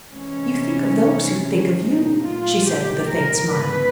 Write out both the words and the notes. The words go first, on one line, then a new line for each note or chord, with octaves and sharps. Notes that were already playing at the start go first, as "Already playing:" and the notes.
"You think of those who think of you," she said with a faint smile.
C3 E3 G#3 C#4
A#2 F#3 A3 D#4
F4
G4
A#4
G#2 E3 G#3 B3 B4